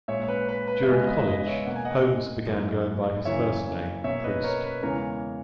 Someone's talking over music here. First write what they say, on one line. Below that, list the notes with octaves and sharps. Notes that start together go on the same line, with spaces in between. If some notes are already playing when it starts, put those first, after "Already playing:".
During college, Holmes began going by his first name, Priest.
A#2 G#3 C#5 E5
C#5
B4
B4
B4
E5
E2 C#3 G#3 B4 D#5
B4 D#5
B4 D#5
C#5 E5
B2 A#3 F#5
G#5
D#5 F#5
F#2 E3 A#3
F#2 C#3 E3 A#3 C#5 E5
B2 A#3 C#5 E5
B4 D#5
A#4 C#5
B4
E2 C#3 E3 G#3 A#4 C#5